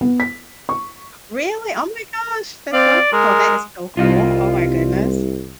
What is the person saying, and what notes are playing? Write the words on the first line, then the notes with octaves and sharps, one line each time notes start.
Really? Oh my gosh, that's wonderful. That is so cool. Oh my goodness,
B3
B6
C#6
C4 D5 F5
G#3 A#4
C2 F4 D#5 F5